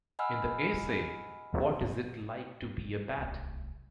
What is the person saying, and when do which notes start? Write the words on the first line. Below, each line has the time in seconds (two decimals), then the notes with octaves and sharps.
In the essay What is it like to be a bat?
0.19 D#5 F#5 G#5 B5 E6 F6
3.18 D1 C2